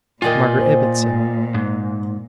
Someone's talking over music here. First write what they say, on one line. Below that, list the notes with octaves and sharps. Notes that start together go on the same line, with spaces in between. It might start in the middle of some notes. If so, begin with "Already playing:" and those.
Margaret Ibbotson!
A#2 F4 A#4 D5 D#5 G5 G#5
C5
G#2